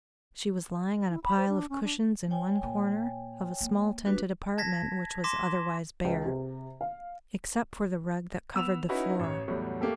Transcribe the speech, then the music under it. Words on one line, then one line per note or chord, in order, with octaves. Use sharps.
She was lying on a pile of cushions in one corner of a small-tented apartment which was otherwise bare, except for the rug that covered the floor.
E4
B5
C5
D4
C#4
D4
C#5 G5 G#5
A#2
G#3 A#3
D4 F#4 B4
A5 G#6 A#6 B6
C6 D6 A#6 B6 E7
C#2
C3
F5
B3 E6 E7 F7
C#4 D#4 E4 F#4 B4
A1 C#5
E2 A2 F#3 G3
A3 A#3 G4 A4